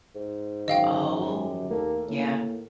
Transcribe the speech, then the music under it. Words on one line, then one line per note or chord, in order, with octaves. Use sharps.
Oh yeah,
G#2
F#2 D#3 D#5 F5 G5
G4 G#4
D#2 A3 A#3 A4 A#4
A2 A#3